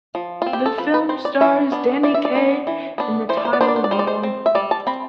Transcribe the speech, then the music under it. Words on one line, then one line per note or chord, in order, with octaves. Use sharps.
The film stars Danny Kaye in the title role.
F3
C4 F4
G4
A4
F3 B4
B4
C4 C5
D5
E3 E5
B3 D4
E3 D5
E5
D5
B3 D4
E3
B3 D4
E3 C5
D5
C5
D5
B3 D4 C5
D5
C5
D5
G3 C5
D5
C5
C4
E5
G3 D5
A5
C4 B5